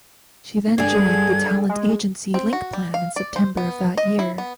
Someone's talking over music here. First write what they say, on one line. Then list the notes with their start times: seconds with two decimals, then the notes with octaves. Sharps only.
She then joined the talent agency Link Plan in September of that year.
0.78 G2 D3 G#4 G#6
1.69 G#3
2.34 C4
2.53 F#4
2.73 G3
2.94 F5
3.16 D5
3.36 C5
3.57 B3
3.97 D#5
4.19 E4
4.38 B3